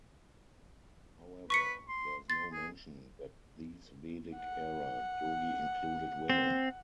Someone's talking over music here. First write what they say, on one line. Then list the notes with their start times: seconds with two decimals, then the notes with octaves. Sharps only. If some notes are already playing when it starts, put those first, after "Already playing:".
However, there is no mention that these Vedic era Yogi included women.
1.50 B4 C#6 B6 C#7
1.89 C6
2.30 C6 A6
2.52 G#4
4.37 F#5
6.30 C4